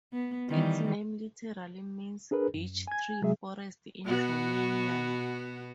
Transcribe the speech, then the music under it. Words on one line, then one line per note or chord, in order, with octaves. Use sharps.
Its name literally means "beech tree forest" in Romanian.
B3
D#3 E3 G3
D4 G#4 A#4 B4
F#2
G#5 G#6
C3 F#3 G#3 G#4 E5
B2 B3 F#4